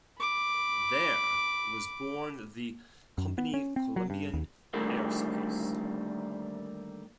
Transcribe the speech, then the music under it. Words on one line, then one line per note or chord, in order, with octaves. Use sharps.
There was born the "Company Colombian airspace".
B5 D6
F#2
B3
C#4
C4
F#3
G2
D#2
D3 D#3 G3 A3 A#3